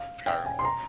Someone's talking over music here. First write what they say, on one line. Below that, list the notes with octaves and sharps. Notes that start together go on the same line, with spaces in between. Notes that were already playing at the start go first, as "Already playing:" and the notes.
Skyrim, but,
Already playing: F5
G5
G#5
C6
A#5